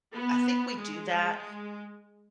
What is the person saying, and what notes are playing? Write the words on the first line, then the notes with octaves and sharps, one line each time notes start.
I think we do that
B3
G#3